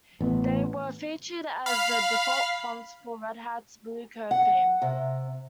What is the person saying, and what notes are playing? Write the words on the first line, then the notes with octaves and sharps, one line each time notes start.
They were featured as the default fonts for Red Hat's Bluecurve theme.
A1 B3
F5 B5
F#5
C3